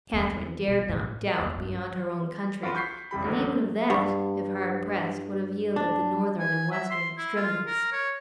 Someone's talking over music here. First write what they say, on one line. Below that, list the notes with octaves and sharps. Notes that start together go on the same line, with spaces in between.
Catherine dared not doubt beyond her own country, and even of that, if hard pressed, would have yielded the northern and western extremities.
E2 C4
B2
A2 G#3
E2 G#3
G2
F4 F#4 B5 C6
C#6 G6 B6 C7
F#1 C3 G3 B5
G#1 E2 D3 F#3
G2
D4
G#5
E5
C6
E4
F4
A#4
C#5